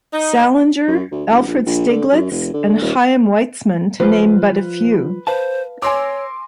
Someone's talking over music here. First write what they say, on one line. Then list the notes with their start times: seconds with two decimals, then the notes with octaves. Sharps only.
Salinger, Alfred Stieglitz, and Chaim Weizmann, to name but a few.
0.13 D#4
0.88 F#2
1.11 D2
1.30 E1
1.47 A#1
1.66 A#1
1.89 D3
2.13 F#2
2.31 F1
2.54 D3
2.82 D#1
4.00 F3 F4 B4 C5
5.27 B4 C5 F5 A5
5.82 C#5 G#5 C6 D6 E6 A#6 D7